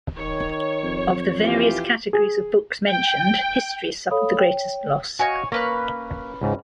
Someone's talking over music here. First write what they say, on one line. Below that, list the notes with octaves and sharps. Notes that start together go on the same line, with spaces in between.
Of the various categories of books mentioned, history suffered the greatest loss.
D#3 C#5
F2
E3 F4 G4
G#4
G5
A4 C#5 F5 B5 D#6
C#5 G5
F#4 C#5 D#5 F5 G#5
A#3 C#4 B4 F#6
C#2 G#2 C#3